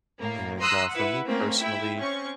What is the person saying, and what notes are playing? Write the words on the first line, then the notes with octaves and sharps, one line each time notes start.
and, uh, for me personally,
A2 A#3
A#5 C6 D#6 E6 F#6
E4 B4 E5 F#5
A3 A#3 C4 C#4 A#4
E4 E5 G5
C4 C#4 C#6